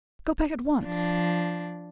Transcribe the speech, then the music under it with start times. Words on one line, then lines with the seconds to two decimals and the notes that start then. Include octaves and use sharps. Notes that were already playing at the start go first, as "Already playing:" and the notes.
Go back at once!
0.82 F3 D4